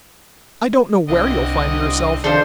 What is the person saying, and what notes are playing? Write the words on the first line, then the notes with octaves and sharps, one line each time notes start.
I don't know where you'll find yourself.
C2 D3 C4 D#5
D#3 F3 D4 A4 C5 D5 F5